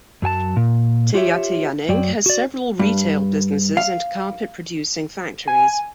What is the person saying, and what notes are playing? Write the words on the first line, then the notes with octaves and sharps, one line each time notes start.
Teyateyaneng has several retail businesses and carpet-producing factories.
F#2 F#3 G#5 A5
A#2
F4 G4 C#5 E5
F#2 F#3 D5 G5
F#4 D5
G2
F5
G#5